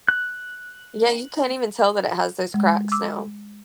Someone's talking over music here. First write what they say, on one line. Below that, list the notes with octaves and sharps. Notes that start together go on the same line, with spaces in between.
Yeah, you can't even tell that it has those cracks now.
F#6
G#3
D6 E6